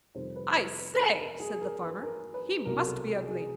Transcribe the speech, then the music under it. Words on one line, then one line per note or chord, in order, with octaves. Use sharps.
'I say!' said the farmer, 'he must be ugly!
F2 C3 D#3 G3 C5
B4
B4
A4
A#4
G#4
A#4
B4
A#4
B4
C2 B2 F#3 A#4
A#4
A4
G#4
G#4